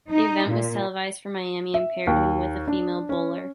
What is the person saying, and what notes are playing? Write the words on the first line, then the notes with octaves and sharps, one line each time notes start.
The event was televised from Miami and paired him with a female bowler.
D#4
A#2
E5
D#2
D4
C#4